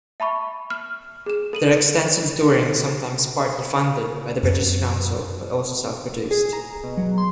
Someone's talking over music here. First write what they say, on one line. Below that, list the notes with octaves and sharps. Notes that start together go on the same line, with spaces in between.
Their extensive touring sometimes partly funded by the British Council but also self produced.
E5 A5 B5 C#6
F6
G#4 E7
A4 D#7 F#7
F#2
G#4
A#5
B2
F#3
C6